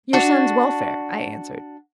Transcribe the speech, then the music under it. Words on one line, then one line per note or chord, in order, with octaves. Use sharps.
"Your son's welfare," I answered.
D4 F#4